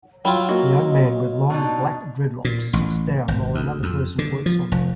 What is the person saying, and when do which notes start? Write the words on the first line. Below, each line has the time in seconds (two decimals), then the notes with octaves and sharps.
A young man with long black dreadlocks sits down while another person works on them.
0.25 F#3 E4 F4 G5 B5
0.49 A#3 F#4 D#5
1.50 B2 D4 D#4
2.45 A#2
2.73 A1
3.28 G#1
3.55 D2
3.83 F2
4.19 D3
4.46 F3
4.72 F1